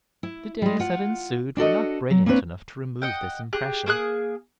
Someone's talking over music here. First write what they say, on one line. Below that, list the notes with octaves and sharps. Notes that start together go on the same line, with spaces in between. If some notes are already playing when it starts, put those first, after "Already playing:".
The days that ensued were not brilliant enough to remove this impression.
E4
G3 G#3
F4 F#5
D4 F#4 A4 D#5
F#3
A#3 C4 D4 B4 C#5
D#5 F#5 G5
G4 G#4 F#6
A#3 G#4 D#6 F#6